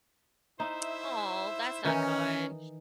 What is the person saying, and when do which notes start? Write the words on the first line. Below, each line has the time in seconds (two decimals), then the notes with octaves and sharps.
Oh, that's not good.
0.60 D#4 E4 C5 E5
1.85 D#3 E3 C#4 D#4